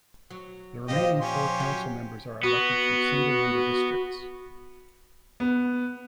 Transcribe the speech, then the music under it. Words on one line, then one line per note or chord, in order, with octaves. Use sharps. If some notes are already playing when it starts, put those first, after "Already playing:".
The remaining four council members are elected from single-member districts.
F#3
A#2 F3 G4 C5 D#5
C#4 G4 C6
F#3
B3 F#4
B3